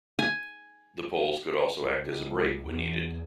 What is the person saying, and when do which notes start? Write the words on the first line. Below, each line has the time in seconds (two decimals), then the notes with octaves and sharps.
The poles could also act as a brake when needed.
0.19 G#5
1.82 C#2
2.66 E2